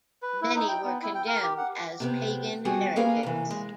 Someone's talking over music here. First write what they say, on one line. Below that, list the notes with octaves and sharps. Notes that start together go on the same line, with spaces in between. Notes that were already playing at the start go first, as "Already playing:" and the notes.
Many were condemned as pagan heretics.
B4
E4
D#4
G5
B3
E4
G5
A#4
G4
F#5
C3 B3 C4
G3 B3 C4 F#4 G#4
A#3 C#4 G#4 A#4 B4 F5
C3 E3
G#3